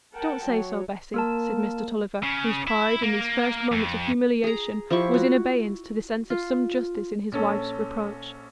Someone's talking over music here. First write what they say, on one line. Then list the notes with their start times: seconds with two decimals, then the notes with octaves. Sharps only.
"Don't say so, Bessy," said Mr. Tulliver, whose pride, in these first moments of humiliation, was in abeyance to the sense of some justice in his wife's reproach.
0.14 A#4 F#5 G5 A5
0.46 F#3 C#5
1.14 A#3 A#4 A5
2.23 C#3
2.68 E4
3.03 A#3
3.72 F2
4.44 G#4 A#5
4.90 F3 E4 G4 C#6
5.14 F#4
6.30 F4
7.32 A#1 C#4 A4